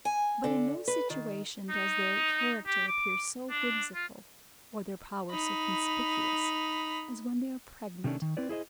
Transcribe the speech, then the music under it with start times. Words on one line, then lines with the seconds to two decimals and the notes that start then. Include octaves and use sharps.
But, in no situation does their character appear so whimsical, or their power so conspicuous, as when they are pregnant.
0.05 G#5
0.44 D3
0.88 B4
1.10 D#3
1.70 D#4
2.67 G4
2.88 D6
3.50 D4
3.95 F4
5.31 D#4 B5
8.04 C3 D#3 A3 C#4 D4
8.22 D#3
8.37 C4 E4 B4 D5
8.49 E4 G#4 C5 D#5